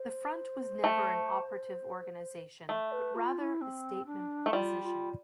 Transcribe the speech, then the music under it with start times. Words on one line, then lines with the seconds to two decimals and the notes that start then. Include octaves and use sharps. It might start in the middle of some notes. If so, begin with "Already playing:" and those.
The Front was never an operative organization, but rather a statement of position.
Already playing: C5
0.84 A3
2.69 A3 E5
2.92 B4
3.15 F4
3.38 E4
3.61 C4
4.06 D4
4.46 A3
4.52 G3 F4
4.83 F4